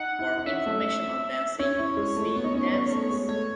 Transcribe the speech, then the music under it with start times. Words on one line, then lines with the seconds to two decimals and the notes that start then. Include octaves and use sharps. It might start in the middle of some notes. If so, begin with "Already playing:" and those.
For information on dancing, see "Dances".
Already playing: D#4 F#5
0.19 E4
0.38 D#4
0.46 C#4 E5
0.66 A3
1.59 C#4 C#5
1.79 E4
1.97 G#3
2.16 A3
2.36 B3
2.44 D#4
2.54 C#4
2.73 B3
2.92 A3
3.11 G#3
3.29 A3 C#5